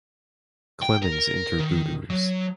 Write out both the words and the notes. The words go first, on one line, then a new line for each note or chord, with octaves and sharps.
Clemens Inter Booters.
G5
A#4
D#3
F#3